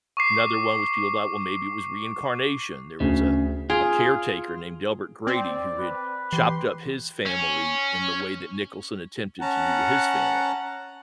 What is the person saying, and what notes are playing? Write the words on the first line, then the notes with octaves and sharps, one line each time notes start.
Another one was people thought, "Well, maybe it was reincarnation." There was a a caretaker named Delbert Grady who had chopped up his family in the way that Nicholson attempted to do to his family
C#6 D6 C7
D2 C#3
F4 G#4 D7
C4 D5
B4
E3 G4 C6
C#4
C#4 F#5 A5 A#5